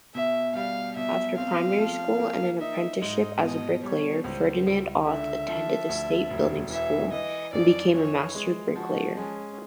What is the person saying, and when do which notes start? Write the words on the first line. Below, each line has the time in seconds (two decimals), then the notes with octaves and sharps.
After primary school and an apprenticeship as a bricklayer, Ferdinand Auth attended the state building school and became a master bricklayer.
0.15 B2 E5
0.55 G3 F5
0.96 B2 E5
1.37 C4 F5
1.78 F3
2.19 A#3
2.60 D#4 E5
3.01 G#2 D#5
3.42 B2 D#5
3.83 G3 C#5
4.24 C#2 C5
4.66 C#2
5.07 D3 E5
5.48 F3
5.89 D2
6.30 E1
6.70 E3 E5
7.12 E3 D#5
7.53 F2 D5
7.94 E3 C#5
8.35 G#3
8.75 F3 F#4
9.17 G#3 C#4